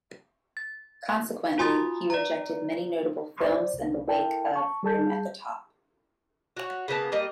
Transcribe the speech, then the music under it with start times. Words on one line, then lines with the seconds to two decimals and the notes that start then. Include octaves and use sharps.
Consequently, he rejected many notable films in the wake of "Room At The Top".
0.57 A6
1.58 F4 F#4 G#5 C6 D#6 A6
2.10 D5 A#5
3.42 C5 D5
3.74 C2
4.08 E4 A4 A#4 G5 A5
4.56 A5 C#6
4.83 G3 G#4 A5 G6
6.57 F#4 C#5
6.88 C#3 A#3 B3 A5
7.12 G3 A#3 D#5